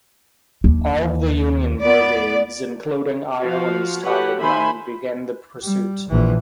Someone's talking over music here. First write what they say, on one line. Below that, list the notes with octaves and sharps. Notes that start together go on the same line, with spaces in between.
All of the Union brigades, including Ireland's tired men, began the pursuit.
D#2
B3 D5
F3 F#4 F5
F#4 G4 A4 B4 C#5 F#5
D#3 C5 E5 G#5 B5
G3
A#1 E3